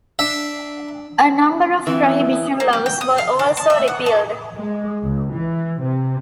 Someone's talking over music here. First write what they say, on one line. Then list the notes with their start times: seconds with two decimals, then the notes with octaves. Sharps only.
A number of prohibition laws were also repealed.
0.19 D4 E5
1.87 E3 C4
2.60 A#3
2.73 G4
2.86 G5
3.01 D#6
3.18 F5
3.39 D4
3.57 A5
3.70 E5
3.88 F#5
4.06 A4
4.55 G#3
5.04 C#2
5.34 E3
5.82 C3